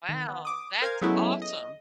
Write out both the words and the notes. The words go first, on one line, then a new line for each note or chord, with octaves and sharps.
Wow! That's awesome!
D#3
B3
D6 D#6
A#4 C5 F5 G#5 A#5 G#6
F#3 G#3 A3 B3 C#4 E4
D#5